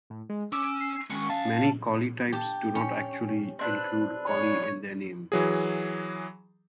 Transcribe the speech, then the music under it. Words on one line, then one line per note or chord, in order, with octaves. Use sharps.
Many collie types do not actually include "collie" in their name.
A2
G#3
C#4 D6 E6
C7
D#3 G#3 C#4 C#6
D#5 F5 A5
G4 A5
C#4
C4 D4 B4
C#5
E3 F#3 G#4